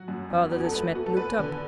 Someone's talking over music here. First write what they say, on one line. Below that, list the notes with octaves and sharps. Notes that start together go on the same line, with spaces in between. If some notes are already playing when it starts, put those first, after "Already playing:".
Father De Smet looked up.
Already playing: F#3 F#4
F#2
E2
E2 F#4
A4
A3 B4
A3 F#4
A4
E2 B4
D3